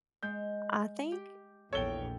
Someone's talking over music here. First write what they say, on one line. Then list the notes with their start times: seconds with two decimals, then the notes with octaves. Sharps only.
I think
0.23 G#3 G6
1.12 G4
1.73 A#1 E2 A4 A#4 C#5 G5 G7